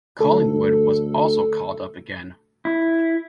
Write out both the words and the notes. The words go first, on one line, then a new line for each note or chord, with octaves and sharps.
Collingwood was also called up again.
D2 A4
E4